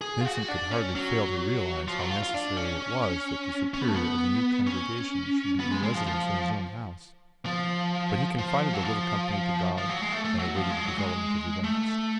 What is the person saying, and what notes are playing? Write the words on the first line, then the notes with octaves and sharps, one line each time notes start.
Vincent could hardly fail to realize how necessary it was that the superior of a new Congregation should be in residence in his own house, but he confided the little company to God and awaited the development of events.
G#4
F4
F#4
D4
C#4
F#3
F3
F#3
F4
F4
D4
C#4
C#4
B3
A3
B3
C#4
B3
G#3
G#3
F3
F3
F3
F3
F#3
F3
F3
F#3
G#3
A3
A3
F#3
F3
G#3
F#3
G#3
A3